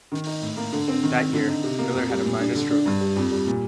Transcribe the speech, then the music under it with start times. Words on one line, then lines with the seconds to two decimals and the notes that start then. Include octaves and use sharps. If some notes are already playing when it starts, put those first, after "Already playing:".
That year, Miller had a minor stroke.
0.12 D#3
0.27 D#4
0.41 A2
0.57 A#3
0.73 D3
0.88 C4
1.03 D#3
1.18 C4
1.33 D3
1.48 D#4
1.64 C3
1.79 A#3
1.94 F2
2.09 G3
2.24 A#2
2.40 D4
2.55 D3
2.70 D4
2.86 G2
3.01 G3
3.16 F2
3.31 G3
3.47 A#2